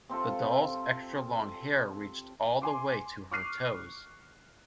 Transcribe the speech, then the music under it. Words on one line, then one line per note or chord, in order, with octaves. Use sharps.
The doll's extra-long hair reached all the way to her toes.
C3 C4 F4 A4
G#5 C6 D6
C#6 D6 F6 F#6 C7 D#7